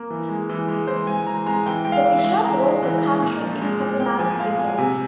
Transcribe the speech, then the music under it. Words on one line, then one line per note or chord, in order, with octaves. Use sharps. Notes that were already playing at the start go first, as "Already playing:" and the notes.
The bishops ruled the county in personal union.
Already playing: A#3
E3
G#3
E3
G#3
E3 C5
G#3 G#5
E3 A#5
G#3 A#5
E3 G5
G#3 G5
F5
E3
E5
G#3
E3 A#5
G#3
E3
G#3
A#2
F3
G#3
A#2
A#2 G5
F3 G#5
G#3 F5
A#2 G#5
C3 G#5